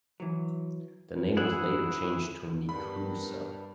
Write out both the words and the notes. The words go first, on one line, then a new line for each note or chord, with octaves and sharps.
The name was later changed to Nekoosa.
E3 F#3
E4 G#4 F#5
G2 B3 A#4 B5